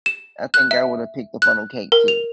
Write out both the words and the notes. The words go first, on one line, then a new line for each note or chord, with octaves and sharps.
I think I would've picked the funnel cake too.
E7
F#6
E5
F#6
A#4
F7